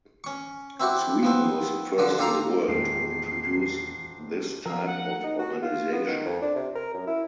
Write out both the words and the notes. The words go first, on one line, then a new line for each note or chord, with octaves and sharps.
Sweden was the first in the world to introduce this type of organisation.
C#4 C#6
C4 E4 F#4 G4
F3 B3 C4
D3 F3 F#4
F4 G4 A4 A#4 F5 A#5
D#1 E2 G#3 A#3 C7
F3 A#4 F5 E6
F#5
D#4
F#4
F4
B3
D#3
F2
D4
C3
A#4
F#2
E4